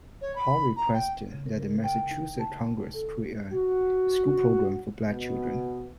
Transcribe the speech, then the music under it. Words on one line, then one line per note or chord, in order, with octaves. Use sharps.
Hall requested that the Massachusetts Congress create a school program for black children.
C#5
B5
A#5
G5
C#3
A#4
G5
D#4
A5
A4
F#4
B2 B3